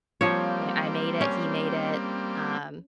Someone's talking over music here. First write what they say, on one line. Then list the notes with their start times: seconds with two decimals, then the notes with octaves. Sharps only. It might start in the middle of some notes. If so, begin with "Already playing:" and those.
eh I made it, he made it, um
0.21 F3 G3 A#3 C4 C#5
1.21 C#4